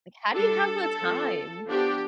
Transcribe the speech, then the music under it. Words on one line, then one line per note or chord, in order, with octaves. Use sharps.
Like, how do you have the time?
G3 D4 A4
F3 C4
F3 B3 D4 G4